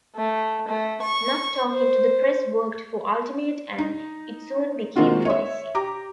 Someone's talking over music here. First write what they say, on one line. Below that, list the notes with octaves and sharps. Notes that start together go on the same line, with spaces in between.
Not talking to the press worked for Ultimate and it soon became policy.
A3
A3
C#6
C5
D#4
D#3 G#3 A#3 C4 F4 F#4
C#5 E5
G4 A#5 D6